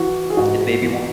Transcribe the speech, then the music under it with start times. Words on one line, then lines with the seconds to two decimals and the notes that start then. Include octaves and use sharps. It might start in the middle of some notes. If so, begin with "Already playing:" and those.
it made me wa
Already playing: E3 F#4
0.30 G#4
0.37 G#2 F#4
0.82 E3